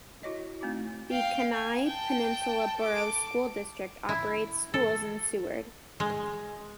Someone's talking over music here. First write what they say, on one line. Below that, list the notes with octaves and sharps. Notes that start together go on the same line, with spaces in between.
The Kenai Peninsula Borough School District operates schools in Seward.
E4 F#4 C#5 D#5
A3 C4 D#4 F#4
F5 G5
G#5
G5 A5
A4 D6
E4
A4
G#3